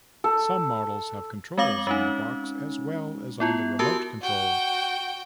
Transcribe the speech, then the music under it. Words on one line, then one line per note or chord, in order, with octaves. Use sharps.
Some models have controls on the box, as well as on the remote control.
A4
G#3 C4 F5 D6 F#7
G#3 C#4 D#4
B3 E4 F4
F#4 G4 A#4 A5 C6 E6
F#4 G5